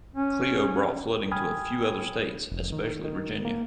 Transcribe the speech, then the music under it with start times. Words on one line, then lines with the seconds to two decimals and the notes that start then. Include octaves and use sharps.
Cleo brought flooding to a few other states, especially Virginia.
0.15 C#4
1.31 G5 G#5 B5 D#6 F6 G#6
2.51 F1
2.73 D#3
3.04 D#3
3.45 A#3